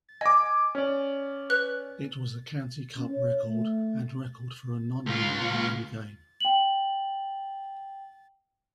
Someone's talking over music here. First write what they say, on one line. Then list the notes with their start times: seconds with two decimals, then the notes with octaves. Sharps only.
It was a County Cup record and record for a non-winger in any game.
0.21 D#5 G#5 D6
0.75 C#4 D5
1.50 B4 F#6
2.96 C#4
3.12 C#5
3.45 A3
5.06 C#2 F4
6.40 G5 F#7